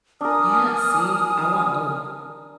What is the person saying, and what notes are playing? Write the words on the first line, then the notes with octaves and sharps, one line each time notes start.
Yeah, see. I want both.
D4 A#4 G#5 D#6 F6